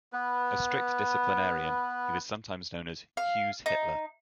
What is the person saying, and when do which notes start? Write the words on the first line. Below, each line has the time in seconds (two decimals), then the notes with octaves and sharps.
A strict disciplinarian, he was sometimes known as 'Hughes-Hitler'.
0.13 B3 B4
3.17 F5
3.66 D#4